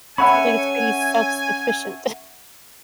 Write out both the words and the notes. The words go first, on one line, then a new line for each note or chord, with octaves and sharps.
Sounds like it's pretty self-sufficient.
C#4 A4 C#5 E5 F#5 G#5 B5 C#6